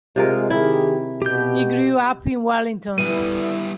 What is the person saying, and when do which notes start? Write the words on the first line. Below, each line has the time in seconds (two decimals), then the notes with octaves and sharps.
He grew up in Wellington.
0.16 C3 G#3 F4 A#4
0.50 D#3 E4 G4 G#4
1.22 B2 G4 G6
2.98 D3 E3 G3 B3 E4 B4 D#7